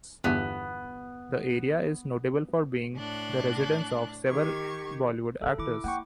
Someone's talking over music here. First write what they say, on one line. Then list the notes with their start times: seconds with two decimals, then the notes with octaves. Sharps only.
The area is notable for being the residence of several Bollywood actors.
0.24 G1 E2 G2 B3
2.95 A2 D4 F#6
4.27 D#3 G4 C#6 G#6
5.42 G#1 D#3 A4
5.58 D#3 E4 D6
5.84 A#3 F#5 G5 C#6